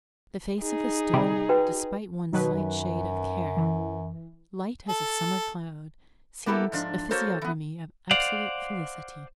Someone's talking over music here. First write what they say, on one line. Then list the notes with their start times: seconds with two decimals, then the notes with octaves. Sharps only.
The face of the steward, despite one slight shade of care, light as a summer cloud, seemed a physiognomy of absolute felicity.
0.61 D#4 G#4
1.14 C3 G3
1.49 F#4 B4 G5
2.33 B2 D#3 F#3 B4
2.53 F#2
3.57 E3
4.89 A4
6.46 A#3 B3 E4 G4 A4
6.72 G#2 F3 D4
7.11 A#3 F#4 A4 A#4 C5 C#5
7.41 E3 B3
8.11 C5 D5 F5 F#5